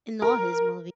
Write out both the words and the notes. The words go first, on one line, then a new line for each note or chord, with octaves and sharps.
In all his movie,
A#4